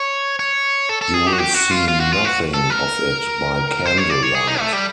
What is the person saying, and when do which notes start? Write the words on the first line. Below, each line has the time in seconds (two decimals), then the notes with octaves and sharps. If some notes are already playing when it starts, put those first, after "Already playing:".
You will see nothing of it by candlelight.
Already playing: C#5
0.39 C#5
0.89 A4
1.01 A4
1.14 G#4
1.27 G4
1.33 F#4
1.38 G4
1.55 F#4
1.71 F4
1.88 F4
2.00 F#4
2.13 F4
2.25 F#4
2.54 A4
2.70 A#4
3.86 C5
3.98 C#5
4.10 D5
4.23 C#5
4.35 G#4
4.48 D#4
4.60 A3
4.73 G3